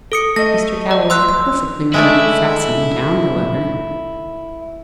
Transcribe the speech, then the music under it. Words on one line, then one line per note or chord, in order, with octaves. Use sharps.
Mr. Galloway perfectly remembered fastening down the letter.
A4 D#6 C#7
A3 D#5 A#6
D5
C6 E6 F#6
G#3 A3 E4 D5